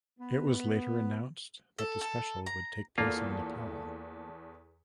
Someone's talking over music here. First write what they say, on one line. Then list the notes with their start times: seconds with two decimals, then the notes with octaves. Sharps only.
It was later announced that the special would take place in Nepal.
0.19 B3
1.78 A4
2.01 A4
2.46 A#5
2.98 E2 A#3 F4 A4